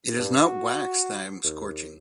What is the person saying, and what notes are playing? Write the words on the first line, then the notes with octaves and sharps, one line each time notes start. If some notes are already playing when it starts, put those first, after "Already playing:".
It is not wax that I am scorching.
G2
F#4
D#2